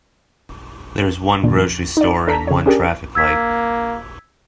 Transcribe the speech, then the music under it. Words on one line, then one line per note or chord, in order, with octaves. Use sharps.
There is one grocery store and one traffic light.
D#2 A#2 D3
F2
D#4 D5
D4 A4 A#5 B6
C#3 C#5
C#4 D4 G4 G#4 A#4
A#3 E6 G#6 B6